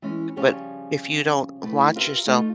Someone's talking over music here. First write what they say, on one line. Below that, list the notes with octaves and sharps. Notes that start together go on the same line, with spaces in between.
But if you don't watch yourself,
E3 G#3 C#4
C#3 F3 G3 C#4 G4 G#4
A2 B4
F4 G4 A#4 B4 E5
A3 D#4 F4